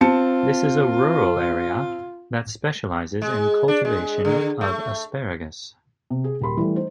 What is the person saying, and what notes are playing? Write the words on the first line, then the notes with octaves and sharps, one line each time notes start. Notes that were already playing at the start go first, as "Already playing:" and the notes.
This is a rural area that specializes in cultivation of asparagus.
C4 F4 A5 C#7
G#3
D4
G#3
D3
A3
C3
G#4
D#1 G4 A#4 B5 C6
E3 G3 A3
D#4 C5